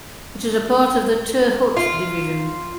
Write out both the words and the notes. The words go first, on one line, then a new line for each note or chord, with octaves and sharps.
It is a part of the Tirhut Division.
F4